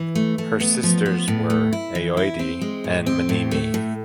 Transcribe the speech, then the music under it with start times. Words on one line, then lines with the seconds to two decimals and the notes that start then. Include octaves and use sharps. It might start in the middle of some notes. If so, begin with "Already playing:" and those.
Her sisters were Aoide and Mneme.
Already playing: E3
0.15 A3
0.38 A3
0.60 B3
0.83 F3
1.06 B3
1.28 A2
1.50 A3
1.73 E4
1.95 E3
2.17 E4
2.39 C4
2.61 G#3
2.84 A2
3.06 C4
3.29 A2
3.51 A3
3.74 A2